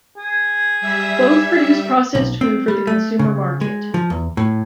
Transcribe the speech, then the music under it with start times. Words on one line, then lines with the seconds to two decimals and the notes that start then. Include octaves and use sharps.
Both produce processed food for the consumer market.
0.18 G#4
0.81 G3 E5
2.15 B1
2.41 C4
2.68 G3
2.87 A3
3.19 C#3
3.61 G#3
3.94 F3
4.10 E2
4.37 A2